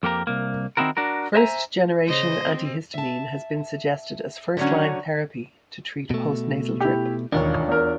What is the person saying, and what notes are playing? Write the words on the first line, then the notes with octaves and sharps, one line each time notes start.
First-generation antihistamine has been suggested as first-line therapy to treat post-nasal drip.
F2 A#3 G4 A#4
C2 A#3
D#3 C4 D#4 E4 F#4 A#4
D4 F#4 A#4
C5 E5 G#5 A#5
C#3 C5 D#5
C4
E5 A5
D3 F#3 C#4 D4 F#4
B2 A3
E4 G4
E1 D#2 D4 F4 C#5
E2 A#4